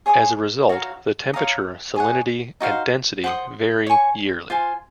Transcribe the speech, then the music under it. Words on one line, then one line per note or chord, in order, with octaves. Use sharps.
As a result, the temperature, salinity, and density vary yearly.
G#4 C#5 G#5 D#6
F#4 C#5 F5 A#5
C#5 F5 A#5 D#6
G#4 C#5 F#5
D#4 F#4 C5 F5
C5 F#5 C6 D#6
C#5 G#5 C#6
F4 C5 F5 G#5